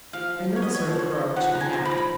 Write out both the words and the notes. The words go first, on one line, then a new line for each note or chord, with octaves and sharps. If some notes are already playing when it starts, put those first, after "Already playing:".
I know the sort of girl he should marry.
F3 F5
F3
C#5
B3 D#5
C#5
F3
C#5
D#4
F3 F#5
A#5
F3 G#5
A#5
F3 B5
A#5
B5